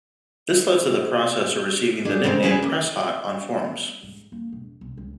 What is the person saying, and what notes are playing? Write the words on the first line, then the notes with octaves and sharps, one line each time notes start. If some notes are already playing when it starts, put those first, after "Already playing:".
This led to the processor receiving the nickname "PresHot" on forums.
D4 G#4 A4
C#3 G#3 C4 A#4 F5
C#3 G#4 B4 G#5
A#3
G#2
A#3
E1
B1
C#2